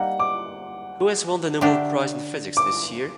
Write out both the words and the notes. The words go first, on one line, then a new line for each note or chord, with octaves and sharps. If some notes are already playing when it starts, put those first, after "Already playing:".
Who has won the Nobel Prize in Physics this year?
Already playing: G3 A#3 D#4 F#5
D6
D3 A3 D4 G4 A#4
D6